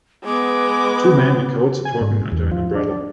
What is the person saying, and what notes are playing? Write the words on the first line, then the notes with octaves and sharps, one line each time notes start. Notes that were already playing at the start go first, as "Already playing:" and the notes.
Two men in coats are talking under an umbrella.
G#3 B3 D6
G#5
G#2
E2
F3
D4